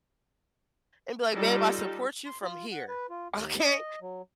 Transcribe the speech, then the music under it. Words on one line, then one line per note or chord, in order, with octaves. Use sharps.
and be like, "Babe, I support you from here, okay?"
G3 D#4 F4 G4 A4
C6
F4
F#5
B4
F4
D#2
D#5
F#3